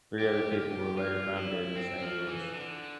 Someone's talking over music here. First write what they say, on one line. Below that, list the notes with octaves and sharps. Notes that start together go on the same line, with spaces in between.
Three other people were later found dead in the same village.
G4
F4
G4
F4
E4
C4
F3
E3
D3